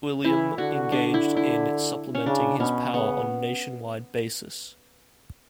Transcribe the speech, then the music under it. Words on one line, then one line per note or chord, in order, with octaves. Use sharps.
Uilleam engaged in supplementing his power on a nationwide basis.
E3 E4
D3 F#4
D4
E4
E4
C#4
C#3 D4
B2 C#4
C#3 B3